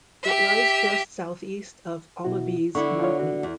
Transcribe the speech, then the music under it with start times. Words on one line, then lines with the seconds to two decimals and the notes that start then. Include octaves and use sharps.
It lies just South-East of Olivee's Mountain.
0.23 G4 E5
2.24 B2 E4 F#4
2.75 D3 B3 E4 C#6
3.01 F4 C#5
3.19 F#4
3.43 E2